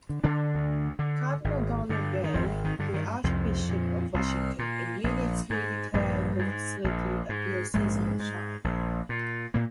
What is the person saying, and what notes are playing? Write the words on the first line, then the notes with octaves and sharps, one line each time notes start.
Cardinal Donald Wuerl, the Archbishop of Washington, immediately declared the facility a diocesan shrine.
D3
D3 D4
D2
D3
G#1
G2 D3
D#3
G#1 F2 F3
D#3
G2 D3
D#3
C2 F2 F3
A#2
C2
A#2
A#1
G#2
A#1 G2 G3
G#2
A#1
G#2
A#1 G#2 G#3
G#2
A#1
A#2
A#2 A#3